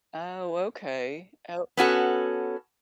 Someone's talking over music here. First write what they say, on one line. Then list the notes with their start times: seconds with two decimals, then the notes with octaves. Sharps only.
Oh, okay. Oh,
1.77 B3 C#4 F#4 A4